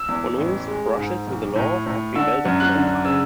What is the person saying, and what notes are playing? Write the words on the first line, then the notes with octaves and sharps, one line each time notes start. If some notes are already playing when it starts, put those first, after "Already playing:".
Fonyo's brushes with the law have been well documented.
Already playing: E6
E2
A1
G#3
G#2
B1
A2
A2
D3 E6
F#2
F#6
D3
D6
C#3 E6